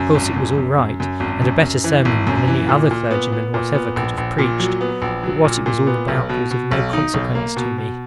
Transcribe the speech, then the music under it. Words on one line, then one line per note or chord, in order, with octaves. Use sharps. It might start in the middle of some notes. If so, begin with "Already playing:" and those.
Of course it was all right, and a better sermon than any other clergyman whatever could have preached, but what it was all about was of no consequence to me.
Already playing: F#2
G#1
F#2
F#2
F#2
F#2
G#1
F#2
F#2
E3
G#1
F#2
E3
A#2
A#2
B3
B3
A#2
B3
A#1
A#1
A#2
F#3
B3
A#1
F#3
A#2
A#2
B3
B1
B2
B2
B1
D#4
B1
A#3
B2
B2